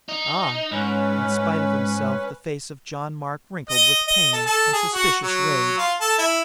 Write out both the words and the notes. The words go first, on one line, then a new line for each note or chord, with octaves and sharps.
"Ah?" In spite of himself the face of John Mark wrinkled with pain and suspicious rage.
D#4
G#2 C#4 B4
D#5
D#5
A4
A4
G#4
F#4
F#3
F4
A4
E4